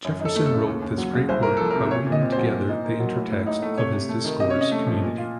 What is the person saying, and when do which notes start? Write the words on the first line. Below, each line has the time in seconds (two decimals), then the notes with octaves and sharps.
Jefferson wrote this great work by weaving together the intertext of his discourse community.
0.05 F#2
0.20 D#4
0.25 A4
0.36 A3
0.46 A4
0.51 C#3
0.67 D#2
0.82 D#2
0.98 F#3
1.13 C#3
1.29 C2 C5
1.43 A#3 A#4
1.57 F3 A4
1.71 A#4
1.76 C3
1.91 A#2 C#5
2.07 A#2
2.12 D#5
2.22 C4
2.32 C5
2.38 F#3
2.54 A#2
2.69 D#4
2.84 A#3
3.00 F#3
3.15 A2
3.31 A2
3.46 D#4
3.62 A3
3.78 C3 C#5
3.93 C3
4.09 A3
4.24 D#3
4.40 C3 D#5
4.50 C#5
4.56 C#4
4.61 D#5
4.71 A3
4.87 F3
5.02 A#2
5.18 F4